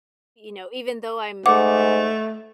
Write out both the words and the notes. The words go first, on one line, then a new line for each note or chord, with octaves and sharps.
m you know, even though I'm
G#2 A3 F#5 D6